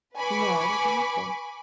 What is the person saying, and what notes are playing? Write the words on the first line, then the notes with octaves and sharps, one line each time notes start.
No, I don't believe so.
B4 G#5 B5 C#6 D6